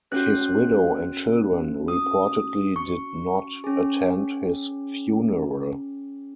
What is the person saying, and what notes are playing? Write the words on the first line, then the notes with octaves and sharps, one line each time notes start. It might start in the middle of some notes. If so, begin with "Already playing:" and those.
His widow and children reportedly did not attend his funeral.
C#4 F#4 F#6
D#6
C#6
C#4 G#4